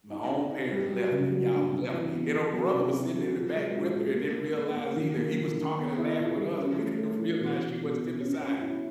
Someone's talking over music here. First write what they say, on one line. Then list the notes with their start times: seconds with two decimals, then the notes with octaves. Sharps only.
"My own parents left me. Y'all left me," and her brother was sitting in the back with her and didn't realize either. He was talking and laughing with us, and we didn't realize she wasn't sitting beside him,
0.11 D#4
0.30 C4
0.50 D#4
0.71 G3
0.92 F#3
1.11 C#3
1.32 F#3
1.52 D4
1.72 C3
1.92 E3
2.13 B3
2.33 B3
2.53 F#3
2.74 C3
2.94 C3
3.14 F#3
3.34 F3
3.55 G#3
3.75 A#2
3.95 A#2
4.15 A#3
4.36 A#3
4.56 A#3
4.76 A#3
4.96 D#3
5.17 A#3
5.37 A#3
5.57 D#3
5.77 B3
5.97 E4
6.18 A#2
6.37 G3
6.58 C#4
6.79 A3
6.99 A3
7.19 E3
7.39 B2
7.59 B2
7.79 B2
7.99 B2
8.20 C#4
8.41 C#4
8.61 E4